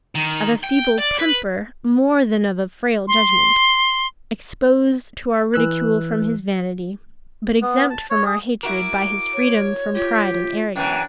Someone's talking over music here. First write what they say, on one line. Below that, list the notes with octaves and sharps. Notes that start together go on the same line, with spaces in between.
Of a feeble temper, more than of a frail judgment; exposed to our ridicule from his vanity; but exempt from our hatred by his freedom from pride and arrogance.
D#3
G5
D5
B4
C6
E3 E6 F#6
B3
A5
C#5
G#4
E4 F#4 A#4 D6
C#5
F4 G4
F#2 E3 D4 G5